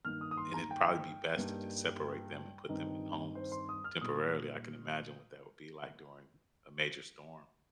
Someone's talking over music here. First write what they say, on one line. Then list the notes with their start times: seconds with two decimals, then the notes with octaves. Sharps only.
and it'd probably be best to just separate them, and put them in homes temporarily, I can imagine what that would be like during a major storm.
0.05 G2 D#3 A#3 F6
0.21 D#6
0.31 D#6
0.37 C6
0.54 A#5
0.71 G5
1.37 G2 G3 A#3 D#4
2.69 G2 D#3 C4 D#4
3.35 C5
3.52 C6
3.69 D#6
3.84 F6
4.01 A#2 G3 D#4 D#6